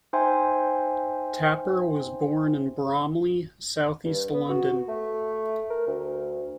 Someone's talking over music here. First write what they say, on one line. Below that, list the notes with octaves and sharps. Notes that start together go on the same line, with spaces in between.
Tapper was born in Bromley, South East London.
D#4 C5 E5 G5 G#5 C6
G2
B3
F#4
A3
A#4
D2